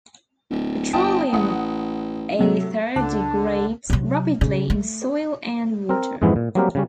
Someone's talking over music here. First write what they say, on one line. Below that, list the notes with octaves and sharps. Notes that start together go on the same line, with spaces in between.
Petroleum ether degrades rapidly in soil and water.
D1
G1 G5 A5 D#6
A1 F#5 D#6
C3 F#3 A3
C#2 D3 D4 A5
C3 F#3
C#3
A3
C4 A#4
F2 G#2 E3 G#3 B3 E4
A#2
F#3 G3 A#3 C4 G4 A#4
C#3 G3 C#4